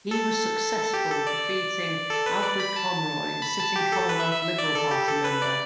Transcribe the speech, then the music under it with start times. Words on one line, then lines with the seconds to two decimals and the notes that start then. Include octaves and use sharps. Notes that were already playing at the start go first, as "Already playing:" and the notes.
He was successful, defeating Alfred Conroy, the sitting Commonwealth Liberal Party member.
0.11 A4
0.77 A4
0.93 G4
1.10 A4
1.27 D5
2.10 A4
2.26 B4
2.43 D5
2.60 B5
2.76 A5
3.42 B5
3.59 A5
3.76 G4
3.92 A4
4.09 B4
4.20 E5
4.31 E5
4.42 E5
4.58 D5
4.75 A4
4.91 G4
5.08 A4
5.24 B4
5.42 D5